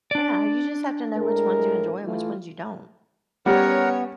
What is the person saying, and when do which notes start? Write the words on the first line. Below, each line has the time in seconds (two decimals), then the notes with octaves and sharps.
Yeah, you just have to know which ones you enjoy and which ones you don't.
0.11 D4 D5
1.16 A2 G#3 A#4
2.04 E3 A3 F4
3.46 G3 B3 C#4 A#4 C#5 F#5